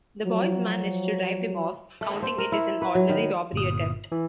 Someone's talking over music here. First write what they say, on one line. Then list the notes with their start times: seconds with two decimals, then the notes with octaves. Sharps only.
The boys manage to drive them off, counting it as an ordinary robbery attempt.
0.23 F3 F#3
2.01 A3
2.22 C5
2.38 A#4
2.52 E4
2.82 B4
2.95 F#3
3.09 D#3
3.53 G1 A#2 D#6
4.12 E3